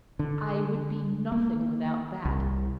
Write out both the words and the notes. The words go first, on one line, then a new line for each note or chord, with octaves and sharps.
I would be nothing without that.
D3
A#3
C2